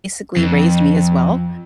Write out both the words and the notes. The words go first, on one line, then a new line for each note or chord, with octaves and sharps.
basically raised me as well,
F2